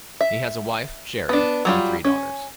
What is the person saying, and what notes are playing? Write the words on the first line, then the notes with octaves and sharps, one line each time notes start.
He has a wife, Sherri, and three daughters.
E5
B3 D4
F#3 G3 F4
C#4